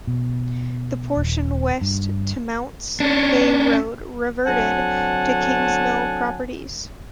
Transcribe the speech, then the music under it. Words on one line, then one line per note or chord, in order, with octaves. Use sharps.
The portion west to Mounts Bay Road reverted to Kingsmill Properties.
B2
D#1
G2
C#4 D4
D3 F#3 C4 F#5 G#5 A5